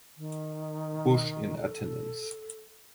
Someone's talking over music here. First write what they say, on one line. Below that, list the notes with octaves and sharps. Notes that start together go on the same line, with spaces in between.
Bush in attendance.
D#3
A4